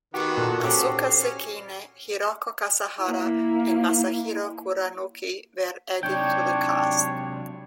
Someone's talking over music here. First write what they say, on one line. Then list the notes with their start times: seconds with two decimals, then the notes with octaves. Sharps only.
Asuka Sekine, Hiroko Kasahara and Masahiro Kuranuki were added to the cast.
0.14 D#3 B3 F#4 G4
0.37 A#2 A4
0.64 C4 C#4 G4 A4
1.21 C#4
3.01 A#3 E4
6.03 C3 F#3 D4 C#5 G5